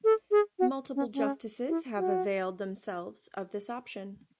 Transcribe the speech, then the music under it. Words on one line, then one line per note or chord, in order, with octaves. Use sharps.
Multiple Justices have availed themselves of this option.
A4
G#4
F#4
C#4
C#4
E4
F#4